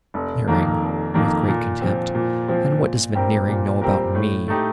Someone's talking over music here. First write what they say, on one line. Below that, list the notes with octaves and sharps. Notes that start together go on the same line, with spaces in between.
'Veneering!' with great contempt.' And what does Veneering know about me!'
F1
F2 D#3 A#3
F1
F2 D#3 A#3
A#2
F3 C4
A#2
F3 C4
A#2
G3 C4 G4 A#4
A#2
G3 C4 G4 A#4
A2
A3 D#4 G4